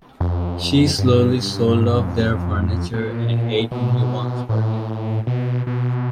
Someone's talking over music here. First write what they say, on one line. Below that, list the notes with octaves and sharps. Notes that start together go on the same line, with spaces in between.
She slowly sold off their furniture and ate only once per day.
F2
G2
G2
G#2
G2
F#2
F2
A#2
B2
A2
B2
B2